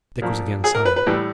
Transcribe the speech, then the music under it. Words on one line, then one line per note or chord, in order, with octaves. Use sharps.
Dick was again silent.
A#2 F3
G#4
A#4
B4
B4
A2 E3 G3